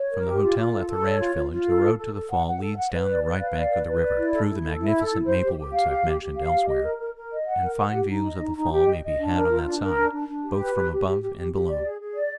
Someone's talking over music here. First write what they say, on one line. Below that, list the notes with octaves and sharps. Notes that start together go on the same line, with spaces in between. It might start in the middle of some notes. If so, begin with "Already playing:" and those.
From the hotel at the ranch village the road to the fall leads down the right bank of the river through the magnificent maple woods I have mentioned elsewhere, and fine views of the fall may be had on that side, both from above and below.
Already playing: C#5
A#4
G4
F4
F4
A4
A4
C#5
F4
F4
F4
A4
A4
A4
A4
F#5
F#5
A4
F#5
B4
D5
B4
F5
D5
B4
B4
D5
E4
A4
E4
A4
E4
A4
E4
C5
G4
G4
F5
G4
G4
G4
F5
G4
D#5
A#4
A#4
A#4
D#5
F#5
A#4
F#5
G4
D#4
D#5
D#4
D#4
G4
D#5
D#5
D4
A#4
F4
D4
A#4
D4
D4
D4
G4
B4
G4
G4
G4
G4
G4
G4
D5
G#4
G#4
D5